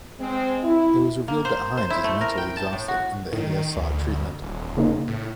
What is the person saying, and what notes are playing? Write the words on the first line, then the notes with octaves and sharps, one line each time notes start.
It was revealed that Hinds is "mentally exhausted" and that he has sought treatment.
G#3 C4
E4
A#3
C5
C5
E4
A3
A#4
G5
A5
A2
F#4
A2 D#3
D2
D#1
C#3 A#3 D#4
A2